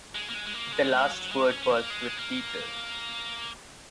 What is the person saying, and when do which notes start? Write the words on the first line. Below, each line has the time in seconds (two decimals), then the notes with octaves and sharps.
The last word was with Peter.
0.15 G#3
0.30 A#3
0.34 G#3
0.47 G#3
0.53 A#3
0.72 G#3
0.92 G#3
1.11 F#3
1.32 G#3
1.44 D#4
1.50 C#4
1.62 C#4
1.70 A#3
1.90 G#3
2.18 A#3